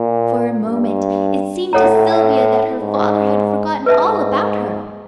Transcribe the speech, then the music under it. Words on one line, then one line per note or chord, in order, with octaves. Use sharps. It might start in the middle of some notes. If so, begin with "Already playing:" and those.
For a moment it seemed to Sylvia that her father had forgotten all about her.
Already playing: A#2
G2
A2 A4 C#5 F#5 A#5
G#2
G#2 B4 E5 A5